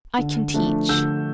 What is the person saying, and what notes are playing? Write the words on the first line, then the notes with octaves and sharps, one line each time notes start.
I can teach.
D3
F3 A3 D4
D3 E6 G6